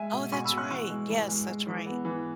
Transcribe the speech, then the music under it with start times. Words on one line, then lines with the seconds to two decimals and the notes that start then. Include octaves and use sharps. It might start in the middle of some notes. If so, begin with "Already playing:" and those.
Oh, that's right, yes, that's right.
Already playing: G#3 E5 G#5
0.12 B2
0.32 B2 G#5 C#6
0.45 B5 E6
0.51 B2
0.58 C#6 F#6
0.70 E3 C#6 F#6
0.90 G#3
1.09 E3
1.28 G#3
1.48 G#3
1.67 E3
1.86 B3
2.05 E3